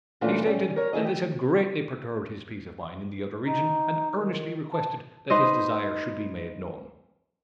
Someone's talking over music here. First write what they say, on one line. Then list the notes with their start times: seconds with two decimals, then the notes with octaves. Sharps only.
He stated that this had greatly perturbed his peace of mind in the other region and earnestly requested that his desire should be made known.
0.21 A#2 E3 A3 C#4 D4 F4
0.46 G3 C#4
0.76 A#4 C#5
0.93 A3 E4 G#4 D#5
1.04 G4
3.46 D#4
4.15 D#3
4.73 A5
5.30 D#4 B4 C5 D#5